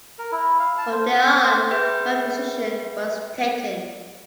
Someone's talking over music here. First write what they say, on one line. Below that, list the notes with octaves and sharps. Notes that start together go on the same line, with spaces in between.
From then on, my position was taken.
A#4
E4
F5
A5
C5
F5
C5
C5
G#4 B4 E5 G5 G6